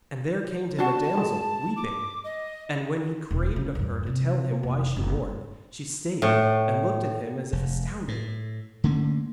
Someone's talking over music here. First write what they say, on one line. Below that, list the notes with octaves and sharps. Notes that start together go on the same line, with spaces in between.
And there came to him a damsel, weeping, and when he craved of her to tell him why she mourned, she stayed, and looked at him as if astounded.
D4 F#4 A5
G#3
D6
D#5
E1 D2
F2 C#3
E2 G2
C3
F1
F#1
A2
F1
A2
D3 A3 A#3 C#4